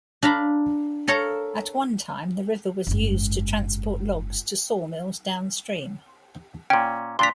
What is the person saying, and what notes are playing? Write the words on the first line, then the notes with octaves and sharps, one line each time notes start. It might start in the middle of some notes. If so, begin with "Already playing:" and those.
At one time, the river was used to transport logs to sawmills downstream.
D4 F5 A#5 B5
A4 A#4 C#5 F5 A#5
F#1 G#2
A#2 C#4 G5
A#2 D4 A#5 C6 B6